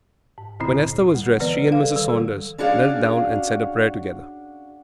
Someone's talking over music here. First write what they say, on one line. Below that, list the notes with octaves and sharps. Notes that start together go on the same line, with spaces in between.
When Esther was dressed, she and Mrs. Saunders knelt down and said a prayer together.
G#2
D2 A#2 D3 C4 E4
G3
D3 E3 B3 B4 D5
A4 F5
D#3 G3 A4
C#4 D4 F#4 G#4 D5 F5